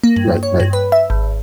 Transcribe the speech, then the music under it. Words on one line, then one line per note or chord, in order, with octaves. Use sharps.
Right, right.
A#3
G2
C#5
G2
B4
E5
G#1